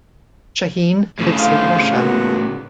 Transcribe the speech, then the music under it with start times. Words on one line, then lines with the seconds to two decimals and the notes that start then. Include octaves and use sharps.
Shaheen lives in Russia.
1.19 A2 C#3
1.39 D2 C5 F5
1.93 A#2 B3 F#4